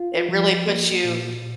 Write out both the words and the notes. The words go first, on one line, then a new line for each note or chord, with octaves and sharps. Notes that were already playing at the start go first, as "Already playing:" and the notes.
It really puts you,
Already playing: F4
F3
A#3
A#2